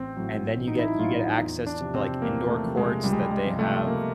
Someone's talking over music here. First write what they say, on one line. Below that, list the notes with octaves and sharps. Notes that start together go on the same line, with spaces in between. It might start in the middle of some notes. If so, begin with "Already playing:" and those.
and then you get you get access to, like, indoor courts that they have,
Already playing: A1 C4
A2 F#3
A1
D#4
E4
A2 F#3 F4
D#4
E2
D4
C3 F3
C4
E2 A#3
A3
C3 F3
G#3
C#2 G3
G#3
G3
G#3
C3 F3
A3
C#2 A#3